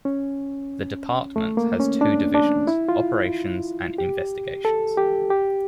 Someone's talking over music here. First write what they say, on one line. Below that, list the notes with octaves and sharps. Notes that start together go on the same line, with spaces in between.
The Department has two divisions, Operations and Investigations.
C#4
A3
A#3
C#4
D4
D4
E4
F4
G4
A4
G4
G4